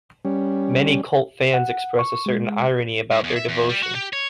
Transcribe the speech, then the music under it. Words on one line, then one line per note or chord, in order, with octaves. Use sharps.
Many cult fans express a certain irony about their devotion.
G3 C#4
F#5
C#6
G#3
G#2
E2
E5
E2
G3
F#4
G4
C#5